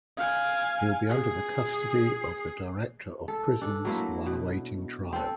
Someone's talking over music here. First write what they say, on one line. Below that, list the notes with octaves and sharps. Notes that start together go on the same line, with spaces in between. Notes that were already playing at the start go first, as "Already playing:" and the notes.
He will be under the custody of the Director of Prisons while awaiting trial.
F5 G#5
G#4 C7
A4
D4 A4
F#3 A3 A#3 E4
B2
C4 A4